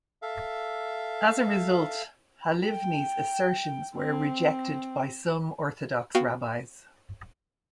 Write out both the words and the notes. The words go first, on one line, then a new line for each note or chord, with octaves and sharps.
As a result, Halivni's assertions were rejected by some Orthodox rabbis.
A4 E5 F5
G5
C4
B3 F#4 F5 G5 C7 D#7